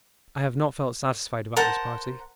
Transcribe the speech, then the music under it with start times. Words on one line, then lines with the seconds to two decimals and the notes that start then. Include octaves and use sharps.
I have not felt satisfied about this party.
1.57 A#4 C5 F#5 A5